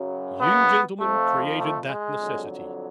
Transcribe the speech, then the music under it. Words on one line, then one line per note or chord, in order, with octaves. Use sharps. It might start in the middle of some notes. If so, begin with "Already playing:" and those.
You, gentlemen, created that necessity!
Already playing: F#2 C#3 F#3
B3
F2 F3 A3
A3
G#3
F2 D3 F#3